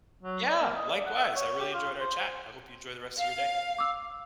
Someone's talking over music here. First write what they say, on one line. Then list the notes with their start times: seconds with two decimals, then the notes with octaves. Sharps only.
Yeah! Likewise, I really enjoyed our chat. I hope you enjoy the rest of your day.
0.23 F#3
0.46 D5
0.61 A#3
0.76 D#5
0.89 D5
1.06 F#5
1.17 E5
1.35 C#5
1.60 G4
1.74 F4
2.00 C5
3.17 F5
3.78 D6 E6